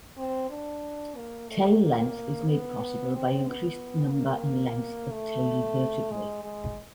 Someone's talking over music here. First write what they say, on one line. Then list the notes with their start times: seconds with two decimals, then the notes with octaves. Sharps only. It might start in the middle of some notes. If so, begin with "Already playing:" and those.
Tail length is made possible by increased number and length of tail vertebrae.
0.17 C4
0.50 D4
1.16 A#3
1.49 A3
1.83 A#3
2.48 B3
3.14 C4
3.47 B3
4.13 A#3
5.12 A3
6.11 G#3
6.43 G#3